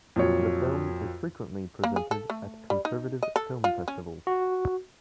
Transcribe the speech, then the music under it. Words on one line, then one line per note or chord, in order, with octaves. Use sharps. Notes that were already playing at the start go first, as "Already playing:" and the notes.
The film is frequently presented at conservative film festivals.
F2 A#2 F#3 C#5
A#3
G#4
A4
A3
G3
D#4
D#5
A4
F4
C#4
F#4